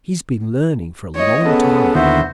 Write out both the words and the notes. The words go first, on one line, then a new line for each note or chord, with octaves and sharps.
"He's been learning for a long time."
C#5 D#5
B3 C#4 G#4 A4
D#2 D3 E4 F#4 C5